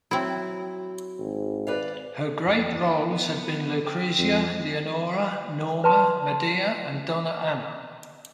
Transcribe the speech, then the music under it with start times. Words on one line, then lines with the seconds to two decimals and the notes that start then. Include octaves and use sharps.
Her great roles had been Lucrezia, Leonora, Norma, Medea, and Donna Anna.
0.11 F#3 C4 E4
1.19 G#1
1.67 B4 D5 F5
2.47 F2
2.80 D#4 C#5
3.11 B3
3.85 C5 G5
4.19 F2
5.84 B4 A5 C6